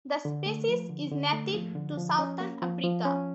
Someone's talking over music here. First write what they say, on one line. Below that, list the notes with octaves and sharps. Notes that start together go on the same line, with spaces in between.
The species is native to southern Africa.
D3
A3
F3
D3
D3
A3
F3
D3
F3
C#4
A#3
F3
F3
C#4